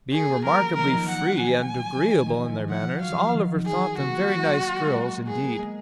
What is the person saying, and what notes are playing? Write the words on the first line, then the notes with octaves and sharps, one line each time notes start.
Being remarkably free and agreeable in their manners, Oliver thought them very nice girls indeed.
C#4 G#4
A#3
F#3 A#4
F3
D#3 A#4
F3
F3 F#5
F#3
G#5
D#3
F3
D#3
F3
F3 F#5
F3
F#3 F5
F3
D#3
F3
G#4
F#3
A#3 F#4
B3
G#3
F#3
F#3
G#3
A#3
B3 G#4
A#3
G#3